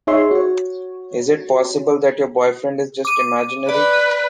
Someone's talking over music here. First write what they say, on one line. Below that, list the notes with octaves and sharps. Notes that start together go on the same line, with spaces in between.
Is it possible that your boyfriend is just imaginary?
D#4 G#4 C#5 E5 C6
F#4 C#5
D6 D#7
B4 D5